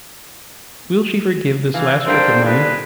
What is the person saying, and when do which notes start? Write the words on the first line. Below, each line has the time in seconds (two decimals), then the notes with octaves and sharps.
Will she forgive this last trick of mine?
1.74 E3 F5
2.07 G#2 D3 G3 A#4 C5 F5 G5
2.45 G#3 B4